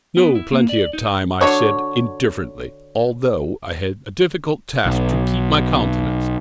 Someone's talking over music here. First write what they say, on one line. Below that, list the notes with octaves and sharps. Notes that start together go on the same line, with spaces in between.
"No, plenty of time," I said indifferently, although I had a difficult task to keep my countenance.
B3
E4
A#3
D5
D#4
D3 F#4 C#5
B1